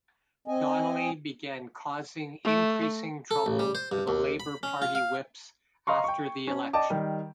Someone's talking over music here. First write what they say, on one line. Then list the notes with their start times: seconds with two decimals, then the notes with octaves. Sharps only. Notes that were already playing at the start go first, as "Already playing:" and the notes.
Donnelly began causing increasing trouble to the Labour Party whips after the election.
0.48 C4 D#5 G#5
2.44 A3
3.31 A4
3.46 A1
3.59 G3
3.75 C5
3.92 G2
4.08 D#2
4.40 B5
4.63 C#4
4.82 F4
4.95 F5
5.87 D#5 F5 A#5 C6 C#6
6.04 G5 C#6
6.47 C#4
6.73 D5 D#5 G5 A5 D6
6.90 D#3 G3